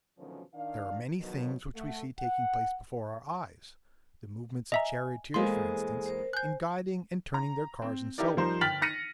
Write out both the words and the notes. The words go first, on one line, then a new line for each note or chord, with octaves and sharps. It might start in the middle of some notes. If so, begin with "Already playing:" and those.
There are many things which we see taking place before our eyes--the movements of charioteers, for instance, in guiding and turning their cars, and so on.
D2 B2 D#3 F3 F#3 C#4
D#3 D4 F5
B2 D3 D#3 F3 F#3
A3 F#5
F#5
D#5 E5 G#5 A#5
E2 G#3 A#3 A4 C5 G#5 C6
A#4 C5
C5 G#5 F#6 G6
A#5
C4
D#4 E4 G4 A#4 D5
F3 G3 D#4 A#4 C5
G1 G5 F6 A6 B6 F#7
F6 A#6 C#7 D#7